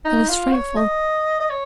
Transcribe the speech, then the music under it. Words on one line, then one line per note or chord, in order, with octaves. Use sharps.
That is frightful.
D#4
F4
C#5
D#5
D#5
C#5